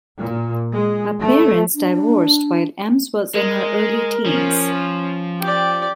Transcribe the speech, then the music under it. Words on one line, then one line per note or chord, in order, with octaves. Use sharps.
Her parents divorced while Emms was in her early teens.
A#2
G#3
A3
D4
G#3 A#4
F3 C#4
G4 D5 G5